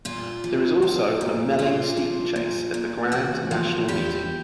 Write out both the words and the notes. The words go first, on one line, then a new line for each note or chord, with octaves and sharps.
There is also a Melling Steeplechase at the Grand National meeting.
A#2 F4
F3
F3
A#2
A#2 F4
F3
A#2
A#2
E2 F#4
F3
E2 G4